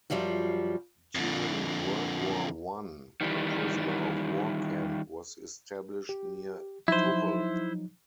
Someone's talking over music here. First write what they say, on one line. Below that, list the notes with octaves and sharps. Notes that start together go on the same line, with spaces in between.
During World War One, a prisoner-of-war camp was established near Tuchel.
F#2 F3 G3 F4 F#4
F2 D3
D#3 E3 G3
G4
F3 F#3 D#4 E4 C5